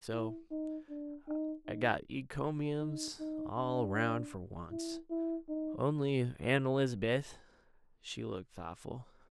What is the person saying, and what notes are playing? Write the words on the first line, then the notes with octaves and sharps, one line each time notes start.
So I got encombiums all round for once. Only Aunt Elizabeth--she looked thoughtful.
E4
D#4
D4
D#4
D#4
D#4
D#4
D4
E4
E4
D#4